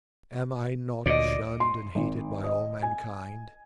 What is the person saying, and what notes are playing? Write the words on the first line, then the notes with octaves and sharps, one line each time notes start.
Am I not shunned and hated by all mankind?
D2 A#2 D5 D#5
C6
G#1
D#5
G#5